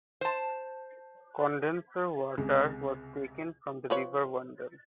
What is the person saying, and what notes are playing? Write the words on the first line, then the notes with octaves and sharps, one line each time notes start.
Condenser water was taken from the River Wandle.
C5 A5
C#2 C3 G#3
F3 B4 C#5